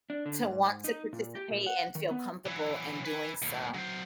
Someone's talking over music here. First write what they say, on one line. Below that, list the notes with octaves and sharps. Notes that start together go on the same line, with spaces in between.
To want to participate and feel comfortable in doing so.
D4
D3
G#2
D#4
A#2
G4
A#2
F#5
D#3
B3
E3 F#3
B4 G#5
D#2 A2
F#3 C5